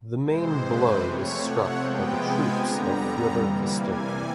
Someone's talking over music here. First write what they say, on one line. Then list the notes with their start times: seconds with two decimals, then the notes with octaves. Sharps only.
The main blow was struck by the troops of Fyodor Kostenko.
0.23 F2 C3 E3 G#3 C5
0.62 B4
1.00 C3 F3 A3 C#5
1.39 F#5
1.79 C3 F3 G#3 B3 G5
2.18 G#5
2.56 F2 D3 G3 B3 A#5
3.34 C3 E3 G3 A#3
3.73 G#5